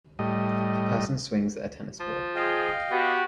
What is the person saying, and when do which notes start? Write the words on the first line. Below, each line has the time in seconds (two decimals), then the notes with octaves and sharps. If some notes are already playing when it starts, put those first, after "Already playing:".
A person swings at a tennis ball.
0.19 A2 G3 D#5
2.00 F3
2.36 F4 G#4 D#5 F5 G5
2.92 B3 F#4 G4